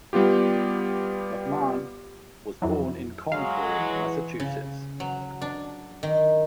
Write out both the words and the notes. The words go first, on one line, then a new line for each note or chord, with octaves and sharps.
McMahon was born in Concord, Massachusetts.
G3 B3 F4 G4
F2 E3 F#3
F#3 G#3 F5
E3
C#3
F#3
D4
D#3